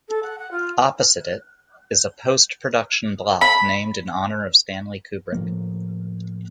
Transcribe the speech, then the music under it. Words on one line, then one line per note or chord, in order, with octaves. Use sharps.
Opposite it, is a post-production block named in honour of Stanley Kubrick.
A4
F#5
F#5
F4
B5
A2 F3 A#3